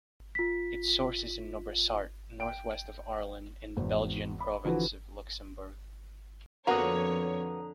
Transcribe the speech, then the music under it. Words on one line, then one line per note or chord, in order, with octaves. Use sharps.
Its source is in Nobressart, north-west of Arlon, in the Belgian province Luxembourg.
F4 B6
G5 D7
G#1 E2
B5
D3 E3 F3 E4 F#4 B4
F2 D3 A#3 B3 F#4 C#5 A#5 D#6